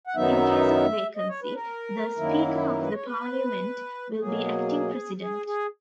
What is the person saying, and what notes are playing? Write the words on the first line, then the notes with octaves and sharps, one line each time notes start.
In case of vacancy, the Speaker of the Parliament will be acting President.
F#5
F#2 D#3 F#3 B3 D#4 E5
D#5
C#5
B4
A#4
F#2 D#3 F#3 A#3 E4
A#4
B4
C#5
B4
B2 F#3 A#3 G#4
G#4
G#4